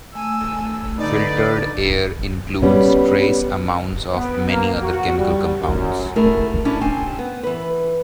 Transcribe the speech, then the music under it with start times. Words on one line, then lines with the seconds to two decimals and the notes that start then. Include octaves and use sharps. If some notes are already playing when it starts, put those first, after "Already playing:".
Filtered air includes trace amounts of many other chemical compounds.
0.15 A3 G#5 E6
0.99 D3 D#4 B4 D5
2.62 G3 B3 C#4
4.12 B3
4.49 A#3
4.82 F#4
5.18 G3
5.59 F#2
6.16 A3 E4 G#4 A#4
6.65 C#4 D4 E4
6.81 C4 G#5
7.19 B3
7.43 E3 B4